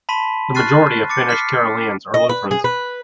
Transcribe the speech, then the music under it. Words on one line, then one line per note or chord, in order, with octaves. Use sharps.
The majority of Finnish Karelians are Lutherans.
A5 B5 C6 B6 D#7
C#6 F6 F#6 A6 C7 D#7
D6 A6 C#7
F6 B6 C7
D#5
B4
G#4
B4